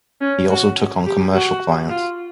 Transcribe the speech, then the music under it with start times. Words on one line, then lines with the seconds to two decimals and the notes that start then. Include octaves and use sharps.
He also took on commercial clients.
0.21 C#4
0.50 F#4
1.06 G4
1.34 F#4
1.90 F4